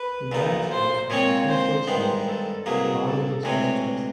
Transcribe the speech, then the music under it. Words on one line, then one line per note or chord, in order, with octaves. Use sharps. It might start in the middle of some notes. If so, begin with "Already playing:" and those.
Byrnes was on Roosevelt's list but hardly his first choice.
Already playing: B4
B1 A#2 F#3 B3 D#4
C5
A#2 F3 G#3 C4 C#5
C5
G2 D#3 G#3 B3
A4
C2 B2 F#3 A#3 G#4
A4
D2 C3 E3 G#3 C#5